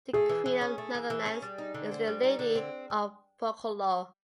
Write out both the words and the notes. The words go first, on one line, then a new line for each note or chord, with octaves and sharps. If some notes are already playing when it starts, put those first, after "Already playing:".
The Queen of the Netherlands is still Lady of Borculo.
A3 G#4
E3
E3
C#4
A3
E3
E3
C#4
G3
D#4
D3
C4
G3
D#4
D3
C4